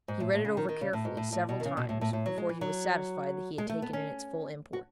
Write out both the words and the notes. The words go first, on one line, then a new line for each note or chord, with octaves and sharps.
He read it over carefully several times, before he was satisfied that he had taken in its full import.
G#2
A2
A2
C#3
D#3
D#3
C#3
A2
G#2
A2
A2
B2
D#3
C#3
B2
A2
A2
A2
F#3
G#3
E3
F#3
G#3
A3
B3
C#4
F#4